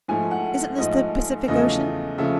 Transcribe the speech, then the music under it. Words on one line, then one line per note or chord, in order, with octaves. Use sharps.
"Isn't this the Pacific Ocean?"
G#2 F3 A3 G#5
F#5
G#2 F3 A3 D#5
E2 C#3 F3 A3 D#5
C#3 F3 A3 E5